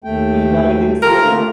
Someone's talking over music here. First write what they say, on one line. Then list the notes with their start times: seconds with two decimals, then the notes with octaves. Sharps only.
He died in Siena.
0.04 D#2 A3 G5
1.02 F4 G4 A4 A#4
1.23 A3 A#3 F4